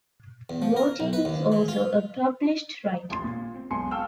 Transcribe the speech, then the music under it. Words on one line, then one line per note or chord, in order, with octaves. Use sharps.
Vlautin is also a published writer.
E2
F3
A#4
B1
B4
D#2
E3
F4
D#1 A1 G3 C6 A6
A#2
C4
B1 G#2 B3 G#5 C6 C#7
F5 G5 A5 C#6 E6 F6